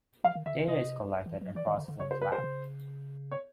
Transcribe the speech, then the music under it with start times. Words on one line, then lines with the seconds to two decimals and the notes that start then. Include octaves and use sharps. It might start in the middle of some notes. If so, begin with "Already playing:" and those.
Data is collected and processed in the lab.
0.24 F3 F5
0.35 D#3
0.46 D3 E5
0.57 C#3
0.68 C3 D#5
1.26 E3
1.41 F#3
1.55 E3 D5
1.67 D#3
1.78 D3
1.88 D3
1.99 C#3 C#5
2.11 C5
2.22 B4
2.32 C5
2.38 C3
2.44 C#3
3.31 C#5